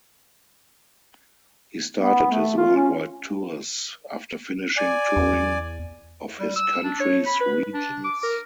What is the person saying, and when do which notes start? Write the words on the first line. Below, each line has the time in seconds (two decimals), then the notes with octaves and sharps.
He started his worldwide tours after finishing touring of his country's regions.
1.98 B3
2.31 A3
2.58 F4
2.76 C#4
4.77 D5 G#5
5.16 E2
6.40 G3
6.56 E6
6.84 D4
7.00 C#5
7.26 B5
7.40 B4
7.74 D4
8.04 D6
8.23 A#4